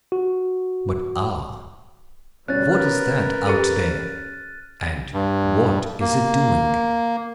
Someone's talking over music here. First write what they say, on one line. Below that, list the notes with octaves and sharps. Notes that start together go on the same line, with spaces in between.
But ah! what is that out there, and what is it doing?
F#4
D2 B2 G3 C#4 F#6 A6
A#4 B4 F6
G4 A4 A6 D#7
G2
A#3